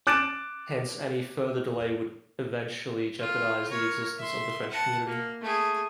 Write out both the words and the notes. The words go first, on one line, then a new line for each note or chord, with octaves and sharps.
Hence, any further delay would eventually jeopardize the existence of the French community.
D6 F#6 A6 D7 E7
F4
A#4 C#5
E5 C6
F#5 A5
A#3
A3 G#4